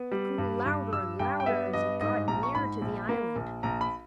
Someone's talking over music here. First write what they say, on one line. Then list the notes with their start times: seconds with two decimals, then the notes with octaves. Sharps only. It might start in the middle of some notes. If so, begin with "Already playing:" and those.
It grew louder and louder as he got nearer to the island.
Already playing: B3
0.11 G3
0.38 G2
0.66 G2
0.92 G2 E6
1.19 G2 G5
1.40 G5
1.46 B3 E5
1.73 G2 D#5
2.01 G#2 D#5
2.28 A#1 A#5
2.43 C#6
2.55 G#2 B5
2.82 A#1
3.09 A#3
3.36 A#1
3.63 A#1 A#5
3.81 B5